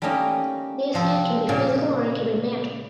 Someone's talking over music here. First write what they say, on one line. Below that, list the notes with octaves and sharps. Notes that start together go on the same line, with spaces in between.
This hit can be physical or it can be mental.
G3 A3 A#3 C#4 D#4 G4
C3 F3 C4
A#2 C#3